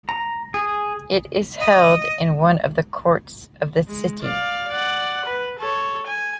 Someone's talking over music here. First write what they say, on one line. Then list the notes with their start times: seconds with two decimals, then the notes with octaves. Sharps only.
It is held in one of the courts of the city.
0.09 A#5
0.54 G#4
1.59 D#5
3.88 G#3
4.22 D5 F5
4.69 D5 F#5
5.26 B4
5.59 A4 C#5
6.07 G#5